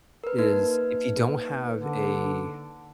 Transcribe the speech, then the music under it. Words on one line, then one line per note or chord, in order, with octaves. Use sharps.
is, if you don't have a
A#4 B4
A#3 D#4 B4
D3